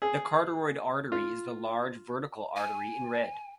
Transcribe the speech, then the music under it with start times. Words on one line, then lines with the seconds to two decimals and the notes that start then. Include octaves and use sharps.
The carotid artery is the large vertical artery in red.
0.02 G#4
1.12 F4
2.56 G#5